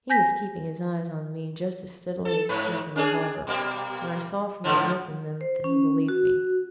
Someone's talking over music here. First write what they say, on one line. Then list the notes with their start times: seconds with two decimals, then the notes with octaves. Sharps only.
He was keeping his eyes on me just as steadily as he kept the revolver, and I saw from the look in them that he believed me.
0.10 G#5 G6 A#6 B6
2.25 A4
2.49 G#2 B4
2.96 C#4 D4 G#4
3.47 B2 G3 A#3
4.64 G#2 D3 F3
5.41 C5
5.64 C#4
6.08 F#4